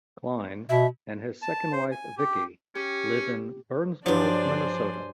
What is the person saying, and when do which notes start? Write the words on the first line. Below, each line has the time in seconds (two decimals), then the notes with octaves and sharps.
Kline and his second wife, Vicky, live in Burnsville, Minnesota.
0.69 B2 E5
1.42 A5
1.72 C5
1.92 G#5
2.18 G4
2.75 C#4 G4
4.06 G2 F3 F#3 D4 C5 D5 G#5